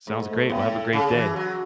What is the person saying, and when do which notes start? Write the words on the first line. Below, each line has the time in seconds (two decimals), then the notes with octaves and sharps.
Sounds, great, well, have a great day.
0.07 G#2 A3
0.29 A3
0.50 A2 B3
0.71 A4
0.93 C#3 A4
1.03 G#4
1.11 E3 F#4
1.21 G#4
1.35 F#3 F#4